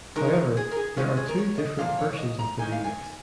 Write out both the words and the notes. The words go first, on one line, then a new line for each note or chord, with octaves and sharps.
However, there are two different versions of the remix.
D#3 G#3 D#4 A#4
G#4
A#4
G#4
D#3 G#3 C#4 F4
G#4
A#4
C#5
D#5
A#2 F3 A#3 F5
C#5
C#5
D#5
A#5
D#3 A#3 D#4 G#5
F5
G#5